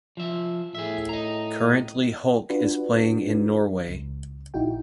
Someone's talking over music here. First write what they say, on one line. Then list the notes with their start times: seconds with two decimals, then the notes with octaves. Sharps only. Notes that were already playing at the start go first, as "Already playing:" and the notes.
Currently Holc is playing in Norway.
0.17 F3 E5
0.75 A2 G#4 E5
1.09 D#5 A#5
2.50 D4 F4 F#4 B4
3.88 C#2
4.54 A#1 D#4 E4 F#4 G5